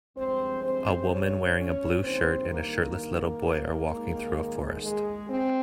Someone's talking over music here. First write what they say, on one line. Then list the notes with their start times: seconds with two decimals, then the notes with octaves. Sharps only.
A woman wearing a blue shirt and a shirtless little boy are walking through a forest.
0.15 G2 F3 G#3 C4 C5
0.62 C4 C5
1.08 C#4 C#5
1.55 C#4 C#5
2.02 G2 D#3 A#3 C4 C5
2.49 A#3 A#4
3.89 D#2 D#3 G#3
4.83 G#3 G#4
5.29 C4